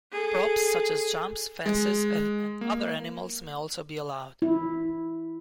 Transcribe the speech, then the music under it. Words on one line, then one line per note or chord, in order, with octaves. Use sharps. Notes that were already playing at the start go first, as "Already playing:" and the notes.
Props such as jumps, fences and other animals may also be allowed.
G#4 A4
G#3
A#3
E4